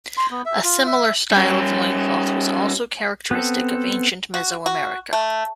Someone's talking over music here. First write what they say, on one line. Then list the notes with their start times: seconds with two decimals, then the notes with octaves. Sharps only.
A similar style of loincloth was also characteristic of ancient Meso-America.
0.17 C6
0.31 B3
0.46 E5
0.64 F4
0.86 E5
1.32 G3 C#4
3.31 B3 C4 A4
4.34 F#4
4.66 F#4
5.13 A3